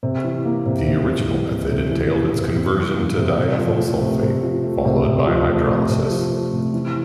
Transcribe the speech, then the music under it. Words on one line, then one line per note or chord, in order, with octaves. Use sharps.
The original method entailed its conversion to diethyl sulfate, followed by hydrolysis.
C3
E3
A#3
C3
C3
E3
A#3
C3
C3
E3
A#3
C3
C3
E3
A#3
C3
C3
F3
A3
C3
C3
F3
A3
C3
C3
F3
A3
C3
C3
F3
A3
C3
E3